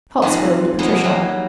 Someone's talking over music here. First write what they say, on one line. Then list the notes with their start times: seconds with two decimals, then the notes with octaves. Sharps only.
Cotswold Patricia.
0.22 F2 G#2 C3 E3
0.79 E3 F3 G#3 A#3 B3 D#4
1.04 F#3 G3 A#3